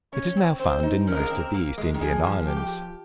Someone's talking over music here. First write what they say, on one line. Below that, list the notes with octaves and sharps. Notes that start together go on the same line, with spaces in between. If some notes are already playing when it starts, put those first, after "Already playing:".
It is now found in most of the East Indian Islands.
C#4 C#5
C4
C4 C5
D#4
C#4 A#4
G#3
A#3
C4
A#3
G#3
D#3
F3 G#4
F3
G4